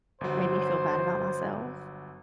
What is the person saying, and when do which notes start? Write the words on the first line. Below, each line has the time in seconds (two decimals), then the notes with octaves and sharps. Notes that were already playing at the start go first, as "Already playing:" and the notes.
made me feel bad about myself,
0.21 G1 F#3 C5